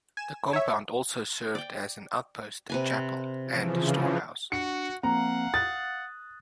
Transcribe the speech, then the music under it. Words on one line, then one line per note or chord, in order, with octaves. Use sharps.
The compound also served as an outpost, chapel, and storehouse.
G#5 E7
C#5 E5
D5 G5
C3 B4 G#5
C#3 E3 F3
D4 F#4 C#7
F3 A#3 C4 F5 F#5 A#5
D#6 F#6 A6